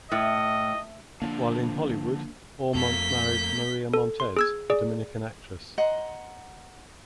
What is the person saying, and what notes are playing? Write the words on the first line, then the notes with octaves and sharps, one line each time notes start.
While in Hollywood, Aumont married Maria Montez, a Dominican actress.
A2 D#5
D3 F3 A#3 C#4 D4
F2 A3 A#3 G6 B6
A4
C6
G#4 E6 G#6
G#4 D5
D#5 F#5 A#5 C6